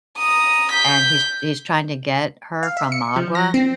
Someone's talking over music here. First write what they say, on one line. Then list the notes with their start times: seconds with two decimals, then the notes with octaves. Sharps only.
and he's he's trying to get her from Magua,
0.18 A#5 D#6
0.72 G6 B6
2.63 F5
2.77 E5
2.92 C#7
3.16 F3
3.35 A#6
3.54 C4